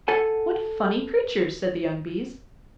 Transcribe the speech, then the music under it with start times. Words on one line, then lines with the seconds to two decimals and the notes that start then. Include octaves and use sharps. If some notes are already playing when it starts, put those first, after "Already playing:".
"What funny creatures!" said the young Bees.
0.08 A4 F#5 G#5